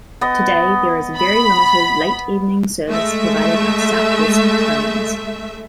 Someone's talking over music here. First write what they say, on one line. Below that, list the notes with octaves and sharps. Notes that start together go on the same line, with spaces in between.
Today there is a very limited late evening service provided by South West Trains.
B3 D#5
B5
G#3 A3 E5